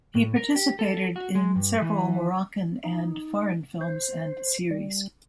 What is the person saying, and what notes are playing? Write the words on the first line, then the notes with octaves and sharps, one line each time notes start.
He participated in several Moroccan and foreign films and series.
A2
A#4
G4
A4
F#4
G#3
G2
E3
D#4
C5
G3